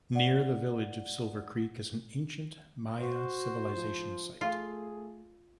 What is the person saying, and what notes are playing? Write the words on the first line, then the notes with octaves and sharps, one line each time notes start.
Near the village of Silver Creek is an ancient Maya civilization site.
D5 F#5
F#4 C5
F3
A3 F4 G#4